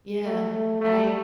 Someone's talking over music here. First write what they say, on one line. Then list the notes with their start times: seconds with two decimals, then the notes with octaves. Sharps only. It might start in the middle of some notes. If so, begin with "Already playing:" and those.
Yeah, I
0.24 A3
0.52 A3
0.81 A3